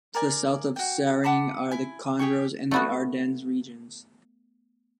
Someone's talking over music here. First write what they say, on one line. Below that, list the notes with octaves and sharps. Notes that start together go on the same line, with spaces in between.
To the south of Seraing are the Condroz and the Ardennes regions.
A#4 D5 G#5
F#4 G5
F#5 A5 B5 D6
E4 G#5
G4 G#4 G5 C#6
A3 B3 F#4